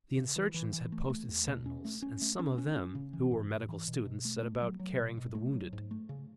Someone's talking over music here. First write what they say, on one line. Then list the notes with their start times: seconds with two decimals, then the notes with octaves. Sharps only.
The insurgents had posted sentinels, and some of them, who were medical students, set about caring for the wounded.
0.17 C#3
0.36 E3
0.54 E3
0.73 E3
0.92 A3
1.10 A3
1.29 E2
1.47 B2
1.66 C#4
1.85 A3
2.02 C#4
2.22 A3
2.39 C#4
2.58 C#4
2.76 C#4
2.95 C#3
3.13 E3
3.32 G#2
3.50 G#2
3.69 E3
3.88 B2
4.05 B2
4.25 A3
4.43 A3
4.62 F#3
4.79 F#3
4.99 B2
5.17 B2
5.35 A3
5.53 F#3
5.73 G#2
5.91 A3
6.09 C#3